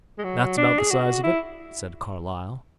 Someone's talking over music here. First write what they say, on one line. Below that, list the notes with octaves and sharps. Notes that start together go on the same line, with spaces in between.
"That's about the size of it," said Carlyle.
G#3
F#3
D4
G#4
F#4
E4